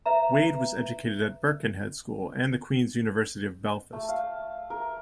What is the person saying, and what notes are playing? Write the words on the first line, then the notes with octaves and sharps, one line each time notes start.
Wade was educated at Birkenhead School and the Queen's University of Belfast.
B4 E5 A#5
A3
F5
A#4